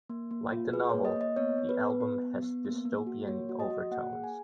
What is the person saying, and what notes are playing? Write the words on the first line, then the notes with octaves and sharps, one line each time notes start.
Like the novel, the album has dystopian overtones.
A#3
A#3
F4
G#4 B4
C#5
A#3
D#5
A#3 D#5
B3 C#5
B3
B4
B3
B3
B3
B3
A#3
A#3
F#4
A#3 C#5
F#4
D#5
F#4
A#3 F#5
G#4
G#5